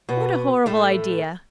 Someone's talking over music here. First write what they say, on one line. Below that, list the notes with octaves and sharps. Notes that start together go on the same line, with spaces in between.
What a horrible idea!
B2 B3
A2 A3